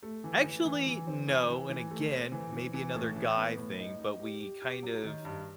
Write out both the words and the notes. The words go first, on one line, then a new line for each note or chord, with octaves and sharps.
Actually, no, and, again, maybe another guy thing, but we kind of,
A3
E3
E3
E3
E3
C4
E3
E3
E3
A3
C4
E3
E3
E3
A2
E3
B3
A2
D#4
D#4
G4
G4
G4
F#3
D#3
G2